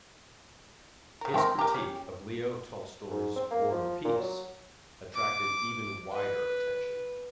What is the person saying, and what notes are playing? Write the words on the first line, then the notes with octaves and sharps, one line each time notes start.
His critique of Leo Tolstoy's "War and Peace" attracted even wider attention.
C#3 A#4
G#3 C4 A#4 G5
G4 A#4 A#5
C#4
G#2
C4
A#3
F3
A#2
F#3
D6
B4